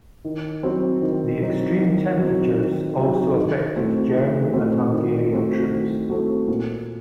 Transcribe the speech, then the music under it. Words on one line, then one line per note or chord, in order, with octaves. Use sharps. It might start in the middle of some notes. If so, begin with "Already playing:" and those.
The extreme temperatures also affected German and Hungarian troops.
D#3
F#3 C4 D#4 F#4
D#3
F#3 C4 D#4 F#4
D#3
F#3 C4 D#4 F#4
D#3
F#3 C4 D#4 F#4
D#3
A3 C4 F#4
D#3
A3 C4 F#4
D#3
A3 C4 F#4
D#3
A3 C4 F#4
A#2